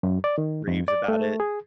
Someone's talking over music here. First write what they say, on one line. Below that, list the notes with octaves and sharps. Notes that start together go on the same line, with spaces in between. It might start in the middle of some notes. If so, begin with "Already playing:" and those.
raves about it?
F#2
D5
D#3
F2
D5
A3
G#4